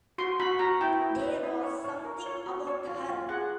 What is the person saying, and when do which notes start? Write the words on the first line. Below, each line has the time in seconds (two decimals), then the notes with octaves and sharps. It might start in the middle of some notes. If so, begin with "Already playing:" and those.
There was something about her.
0.18 F#4 C6
0.40 F#4 B5
0.59 F#4 A#5
0.81 E4 G5
1.01 E4
1.22 B4
1.43 E4
1.63 C#5
1.84 C#5
2.05 A#4
2.26 C#5
2.46 F#4
2.67 C#5
2.87 F4
3.09 F4
3.29 G#4 F#5